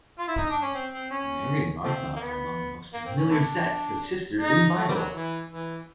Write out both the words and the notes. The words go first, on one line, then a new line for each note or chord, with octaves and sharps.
Mary and Martha are among the most familiar sets of sisters in the Bible.
F4
E4
D#4
D4
C#4
C4
C4
C#4
F3 A3 C4
A#3
B3
A#3
C4
C#4
A3 B3 D4
D#4
A3
G3
F#3
E3
E3